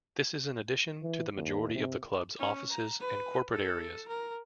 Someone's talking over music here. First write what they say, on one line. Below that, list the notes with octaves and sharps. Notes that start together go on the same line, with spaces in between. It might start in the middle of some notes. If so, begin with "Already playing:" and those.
This is in addition to the majority of the club's offices and corporate areas.
E3
D#2
C3
C#4
A#5
B4
A4
A#4